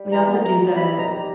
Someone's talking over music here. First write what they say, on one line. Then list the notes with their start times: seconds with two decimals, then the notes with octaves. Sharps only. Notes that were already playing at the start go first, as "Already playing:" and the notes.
We also do the
Already playing: G3
0.11 E3 A#5
0.28 B3
0.44 B3 A#5
0.61 G3
0.77 D#4 B5
0.93 D#4
0.99 A#5
1.10 G3